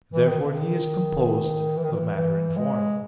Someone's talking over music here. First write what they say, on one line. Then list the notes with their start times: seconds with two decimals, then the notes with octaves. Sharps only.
Therefore he is composed of matter and form.
0.14 E3
0.27 D#3
0.41 C#3
0.54 D#3
1.77 E3
1.84 D#3
1.93 E3
2.17 E3
2.57 G#3